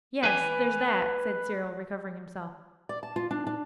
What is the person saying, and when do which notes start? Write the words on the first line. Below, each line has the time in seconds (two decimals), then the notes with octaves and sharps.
'Yes, there's that,' said Cyril, recovering himself.
0.24 B4 G#5
2.89 D5
3.03 A5
3.16 F4
3.31 D4
3.47 D4